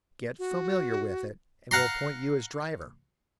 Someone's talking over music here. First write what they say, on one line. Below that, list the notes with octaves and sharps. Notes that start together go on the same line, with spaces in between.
Get familiar with it and we'll appoint you as driver.
F#4
F5 F#5 A#5 C6